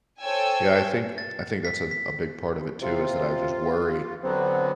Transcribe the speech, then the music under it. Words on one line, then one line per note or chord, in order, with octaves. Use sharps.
Yeah. I think I think that's a a big part of it too, is that I just worry,
A4 C5 C#5 G5 G#5 E6
A6
B6
B6
C3 F4
D3 F#3 B3 C4